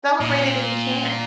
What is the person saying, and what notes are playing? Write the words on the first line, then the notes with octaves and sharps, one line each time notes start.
celebrate it if you can.
A#2